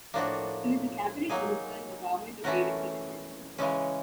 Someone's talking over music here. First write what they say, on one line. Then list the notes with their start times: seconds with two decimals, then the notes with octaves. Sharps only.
She was a cabinet minister in the government of David Peterson.
0.14 A2 F3 A#3 D4 F#4
1.29 F#3 A#3 D#4 G#4
2.44 E3 A3 C#4 F#4 A#4
3.58 C#3 E3 G#3 C#4